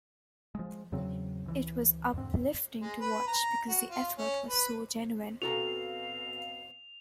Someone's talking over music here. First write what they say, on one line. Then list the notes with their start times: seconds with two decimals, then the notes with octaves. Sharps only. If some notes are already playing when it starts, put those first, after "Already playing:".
It was uplifting to watch because the effort was so genuine.
0.55 F3 G#3
0.92 E2 C#3 F#3 C4
1.46 C#2 E3
2.13 E2 G#2 D3 C4
2.81 G#3
3.00 B4
3.27 A#5
3.69 F#4
3.89 F4
4.18 C#4
4.49 B4
5.42 B2 C4 F#4 A4 F5 A#5 F7